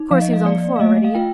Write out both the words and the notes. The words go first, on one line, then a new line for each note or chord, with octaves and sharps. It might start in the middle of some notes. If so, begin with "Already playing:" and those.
Of course he was on the floor already.
Already playing: D#4
F3 F5
D#5
F5
A#3 D5
F5
A3 D#5
F5
F4 G5